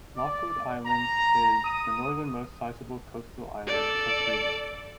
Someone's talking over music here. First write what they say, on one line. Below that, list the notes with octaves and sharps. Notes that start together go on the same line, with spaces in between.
Lockwood Island is the northernmost sizeable coastal island of Greenland.
D5
A#5
D#6
A4 D5